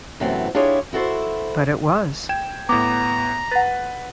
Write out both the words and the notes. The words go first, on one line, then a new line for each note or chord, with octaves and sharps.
But it was.
F#2 C3 E3 A3 B3 C4
D4 E4 F4 G4 G#4 C#5
E4 F#4 A4 C5
G5 G#6 E7
A2 B3 A#5 D6
B4 F#5 A6